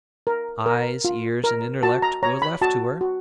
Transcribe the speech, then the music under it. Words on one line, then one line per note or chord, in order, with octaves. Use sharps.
Eyes, ears, and intellect were left to her.
A#4
A#4
F4
A#4
F#4 A5
A#5
C#5 A#5
B5
F#4 A5
F#4